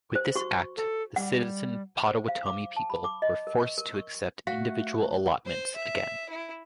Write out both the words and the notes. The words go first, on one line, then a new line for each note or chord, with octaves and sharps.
With this Act, the Citizen Potawatomi people were forced to accept individual allotments again.
C5
F#4 C#6
A4
G3 F#5
C5
F5
D6
A5
B5
D6
D#5
A#4
C#6
A#4
C#6
C#6
A3 F#4 F5
C5
E5
E4